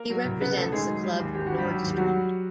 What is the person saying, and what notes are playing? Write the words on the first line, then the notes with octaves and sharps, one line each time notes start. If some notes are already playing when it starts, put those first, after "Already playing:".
He represents the club Nordstrand.
Already playing: A#3 A#4
F#3
C2
C#3 B3 B4
E1 A3 A4
D#3 G#3 G#4
F#3
G3
D#2
G#1 G4
G2 F#4
G3 G4
F#3
D#2
G4
F#3 G3 F#4
G3